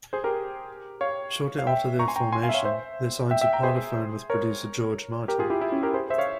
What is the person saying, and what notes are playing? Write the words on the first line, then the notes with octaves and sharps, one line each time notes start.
Shortly after their formation, they signed to Parlophone with producer George Martin.
G#4 C5
G4 A#4
C#5 F5
F5
E5 G5
A#5 C#6
G#5 C6
G5 A#5
G#5 C6
F5 G#5
E5
C#5 F5
C5 E5
E5 G5
E5 G5
G5 A#5
G#4 C5
A#4 C#5
G4 A#4
F4 G#4
E4 G4
E4
C#4
G4 A#4
G#4 C5
C5 E5
C#5 F5